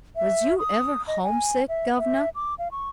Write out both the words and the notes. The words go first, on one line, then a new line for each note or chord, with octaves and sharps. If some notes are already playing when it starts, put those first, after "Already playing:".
Was you ever homesick, governor?'
E5
D#6
D#5
G#5
E5
E5
D6
F5
C#6